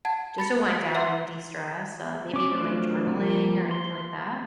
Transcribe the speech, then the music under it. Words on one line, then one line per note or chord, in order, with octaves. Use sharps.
just to wind down and destress? Uh, maybe even, like, journaling or anything like that.
F#5 A5 G#6
B5 A6 C#7
E5 F#5 A#5 C6
C#4 D6
F#3 A3 C4 D4 F4
F3 A#3
C6